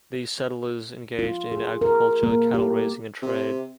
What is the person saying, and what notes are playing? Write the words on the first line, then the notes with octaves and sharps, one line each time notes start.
These settlers engaged in agriculture, cattle-raising, and trade.
F4
G#4
A#4
A#3
G4
C3